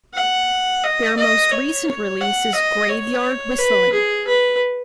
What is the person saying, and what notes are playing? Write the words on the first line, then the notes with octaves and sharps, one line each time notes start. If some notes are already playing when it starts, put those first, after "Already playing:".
Their most recent release is "Graveyard Whistling".
F#5
D#5
D#5
C#5
C#5
F#5
D#5
C#5
B4
G#4
B4